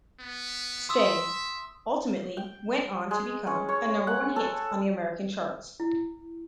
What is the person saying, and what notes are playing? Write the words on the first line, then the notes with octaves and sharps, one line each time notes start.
"Stay" ultimately went on to become a number one hit on the American charts.
B3
E5 C6 D#6 E6
G5
G#3
C#4
C#5
F#5
A4
E4